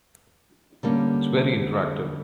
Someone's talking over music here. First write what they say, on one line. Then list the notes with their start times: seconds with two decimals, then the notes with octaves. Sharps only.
It's very interactive.
0.83 D3 G3 A#3 C#4